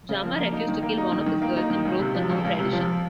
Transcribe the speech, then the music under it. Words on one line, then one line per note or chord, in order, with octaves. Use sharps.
Jama refused to kill one of his girls and broke a known tradition.
C#3
F3
A#3
D#4
D#3
A#3
D#4
D#3
D#3
A#3
D#4
D#3
C#2
C3
F3
C#2
C#2
C3
F3